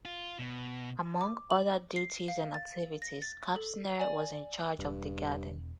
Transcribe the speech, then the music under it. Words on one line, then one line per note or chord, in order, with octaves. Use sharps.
Among other duties and activities, Kapsner was in charge of the garden.
F4
B2
D6
F#7
C7
F5
A6
A#6
A6
A4
D5 G#5
E1 G2